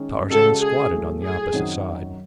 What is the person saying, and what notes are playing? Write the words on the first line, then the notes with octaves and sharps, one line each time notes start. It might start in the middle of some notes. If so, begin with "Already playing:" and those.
Tarzan squatted on the opposite side.
Already playing: D#3 G#3 C#4 G#4
C#3 G#3 C#4 F#4 A4
G#4
A2 F#3 A3
G#4
F#2 D#3 F#3 C4 F#4